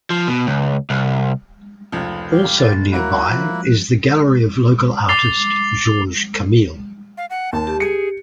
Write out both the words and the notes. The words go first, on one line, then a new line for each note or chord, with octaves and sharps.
Also nearby is the gallery of local artist Georges Camille.
F3
B2
C#2
C2
F1 C#2 F3
G4 F5
F1 A6
F#3 A#3 E4 F#4 A#4 F#6
F3
D6 A6 C7 F7 G7
F5
F#5
D#2 A5
G4
G#4 C#7